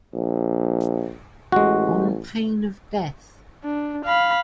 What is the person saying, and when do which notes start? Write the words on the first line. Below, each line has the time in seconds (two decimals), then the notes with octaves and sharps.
On pain of death.
0.14 A#1
1.52 A1 G#3 F#4
3.64 D4
4.05 F5 B5